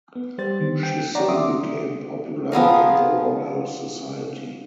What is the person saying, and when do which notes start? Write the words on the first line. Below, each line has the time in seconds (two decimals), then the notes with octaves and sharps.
She soon became popular in the royal society.
0.15 B3
0.38 G3 B3 G4 C5 A6
0.60 D3 D#3
0.83 G5
1.15 C#5 D5 F#5 A#5
1.29 E5 C6 D6 D#6
2.52 F3 B3 G#4 A#4